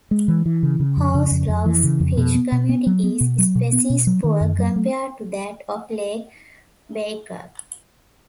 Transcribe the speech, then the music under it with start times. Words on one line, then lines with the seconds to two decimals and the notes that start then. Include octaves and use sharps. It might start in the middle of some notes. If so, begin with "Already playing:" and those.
Hovsgol's fish community is species-poor compared to that of Lake Baikal.
0.11 G#3
0.28 E3
0.46 E3
0.63 C#3
0.80 C#3
0.97 F2
1.15 C#3
1.31 F2
1.49 F2
1.66 E3
1.84 C#3
2.00 F2
2.17 B2
2.35 B3
2.52 B2
2.69 B3
2.87 F#3
3.04 B3
3.21 B2
3.38 F#3
3.55 B2
3.72 B3
3.90 B2
4.07 F#3
4.24 D#3
4.41 F#2
4.59 F#3
4.76 A3